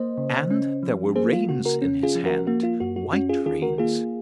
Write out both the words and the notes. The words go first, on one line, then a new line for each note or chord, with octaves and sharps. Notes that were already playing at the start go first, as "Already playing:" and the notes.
And there were reins in his hand--white reins.
Already playing: A#3 C5 D#5
C#3
C#4
F3
A#3 G#4 C5
F4
C#3 F#4
F#4 A#4
C#4
F4 G#4
F3
F#4 A#4
A#3 F#4
F4
F#2 F#4
F#4
C#4 F#4
F4 G#4
D#3 F4 G#4
F#4 A#4
A#3 F4 G#4